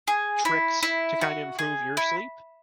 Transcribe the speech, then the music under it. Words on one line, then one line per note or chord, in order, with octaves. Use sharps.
tricks to kinda improve your sleep?
G#4
E4
E4
F#4
G#4
E4